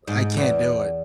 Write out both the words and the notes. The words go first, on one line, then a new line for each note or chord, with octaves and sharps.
I can't do it.
G#2
E2